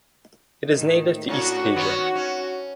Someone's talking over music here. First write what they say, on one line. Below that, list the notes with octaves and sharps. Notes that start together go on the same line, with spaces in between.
It is native to East Asia.
A2 D#3
A2 C#4 D4 F#4
D#3 B3 C#4
C#4